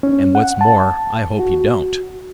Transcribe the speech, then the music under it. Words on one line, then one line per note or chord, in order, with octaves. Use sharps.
"And what's more, I hope you don't."
C#4
F#5
A5
F#4